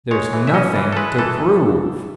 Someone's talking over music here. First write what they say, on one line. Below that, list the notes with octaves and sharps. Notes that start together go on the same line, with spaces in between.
There's nothing to prove.
G#3 C#5
E3
E5
C#4 D#5
E3
A4
G#3 B4
E3 A4